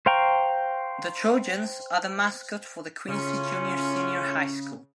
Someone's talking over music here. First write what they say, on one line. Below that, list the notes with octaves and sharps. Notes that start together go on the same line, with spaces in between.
The 'Trojans' are the mascot for the Quincy Junior-Senior High School.
C5 F5 G5 A#5 C#6
A2 C#3 C#4 F4